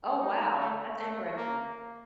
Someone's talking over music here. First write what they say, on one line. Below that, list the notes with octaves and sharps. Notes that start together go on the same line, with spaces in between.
Oh, wow, that's interesting.
D#4
A3
A3
A#3